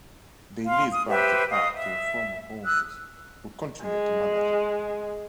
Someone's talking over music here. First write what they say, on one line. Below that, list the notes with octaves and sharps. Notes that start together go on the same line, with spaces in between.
They leased back the park to the former owners, who continued to manage it.
F5 C6
D#6
G4 B4 C5 E5
D#5 F5 D#6
E5
D#6 E6 F#6
G#3